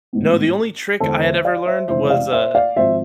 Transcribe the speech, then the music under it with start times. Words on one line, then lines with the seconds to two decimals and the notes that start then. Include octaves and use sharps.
No, the only trick I had ever learned was, uh,
0.13 A1 G#2 E3 B3
1.00 E2 D3 G#3 A4 C5
1.22 C5 E5
1.45 D5 F5
1.67 C5 E5
1.88 F1 F2 E3 G#3 C5 E5
2.10 D5 F5
2.33 C5 E5
2.55 D5 F5
2.76 G#1 G#2 F3 C5 E5